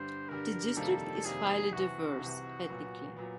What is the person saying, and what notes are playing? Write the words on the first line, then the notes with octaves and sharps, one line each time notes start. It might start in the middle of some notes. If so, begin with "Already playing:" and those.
The district is highly diverse ethnically.
Already playing: G2 D3 G3 C5
G2 D3 G3 A#4
F2 C3 D#3 G3 A#3 A4
F2 C3 D#3 G3 A#3 G#4
C2 C3 E3 F#4
C2 C3 E3
A#2 F#3 B3
A#2 F#3 B3